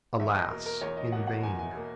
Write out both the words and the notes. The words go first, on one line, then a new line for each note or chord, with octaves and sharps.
Alas! in vain.
E2 E5
D#5
B2 A#3 A#4
A#4
E2 C#5
D#5
B2 A#3 F#5
F#5
E2 G#5
G#5
B2 A#3